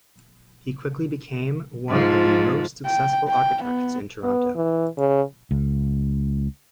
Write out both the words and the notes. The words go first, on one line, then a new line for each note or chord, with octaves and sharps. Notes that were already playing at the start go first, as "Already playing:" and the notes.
He quickly became one of the most successful architects in Toronto.
G#2 F3
G5
G5
B3
B3
E3
C#3
C#2